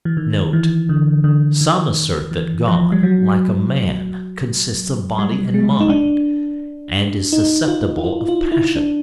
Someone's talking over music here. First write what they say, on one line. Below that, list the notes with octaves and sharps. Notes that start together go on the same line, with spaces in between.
Note.--Some assert that God, like a man, consists of body and mind, and is susceptible of passions.
E3
D#3
E3
D3
D3
D#3
E3
F3
G3
F#3
G3
G#3
D#4
D4
D#4
F4
E4
F4
F4
E4
D4